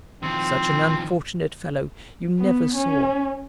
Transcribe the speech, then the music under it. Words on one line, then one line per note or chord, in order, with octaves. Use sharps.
Such an unfortunate fellow you never saw.
D#3 F3 C4
B3
C#4